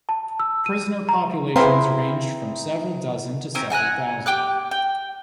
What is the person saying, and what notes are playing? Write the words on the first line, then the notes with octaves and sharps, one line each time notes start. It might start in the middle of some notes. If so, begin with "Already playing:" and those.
Prisoner populations ranged from several dozen to several thousand.
A5
E6
D#7
A#5
C4 E4 G#4 B4 F5 G5 A#5 C6
C4 C#4 A#4
F#5 G#5 A#5 F#6
G4 G5 D6 F#6
G5